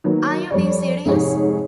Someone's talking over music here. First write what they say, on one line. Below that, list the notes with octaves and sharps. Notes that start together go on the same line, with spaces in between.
Are you being serious?
D#3 F#3 A#3 B3
F2 G3 C#5 D5
F1 G#2 G4 G#4 C#5